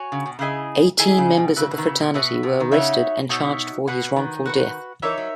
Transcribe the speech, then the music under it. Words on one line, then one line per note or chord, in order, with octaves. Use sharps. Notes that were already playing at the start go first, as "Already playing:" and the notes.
Eighteen members of the fraternity were arrested and charged for his wrongful death.
Already playing: F#4 C#5 G#5
C#3
B2
C#3 E4 G#4 D#5 G#5
D#3 E4 G#4 D#5 G#5
C#3
B2
C#3 F#4 B4 E5
B2
D#3
C#3
B2
B2 F#4 B4 E5
B2
D#3
C#3 D#4 F#4 C#5 E5
B2 D#4 F#4 C#5 E5
B2 F#4 B4 F#5
D#3
F#4 B4 F#5
E3 D#4 A#4 C#5 E5
F#3